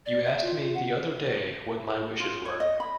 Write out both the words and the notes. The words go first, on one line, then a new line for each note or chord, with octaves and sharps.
You asked me the other day what my wishes were.
D5
E5
F4
F#5
F4
C#5
D#5
B5